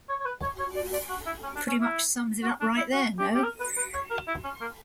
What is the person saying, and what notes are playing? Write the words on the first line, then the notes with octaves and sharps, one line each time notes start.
Pretty much sums it up right there, no?
C#5
C#5
B4
C#5
C#5
D5
D5
F#4
E4
C#4
D4
C#4
E4
F#4
D4
E4
F#4
G4
G4
A#4
B4
B4
C#5
A#4
E4
C#4
A#3